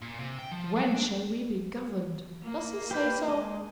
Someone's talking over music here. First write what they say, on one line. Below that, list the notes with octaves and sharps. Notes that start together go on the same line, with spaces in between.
'When shall we be governed?' Does he say so?
A#2
C3
G5
F3
F#3
D4
A#3
G4 B4 G6
G#3 D#5